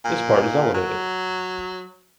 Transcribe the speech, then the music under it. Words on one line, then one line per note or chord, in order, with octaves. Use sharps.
This part is elevated.
A#2
F#3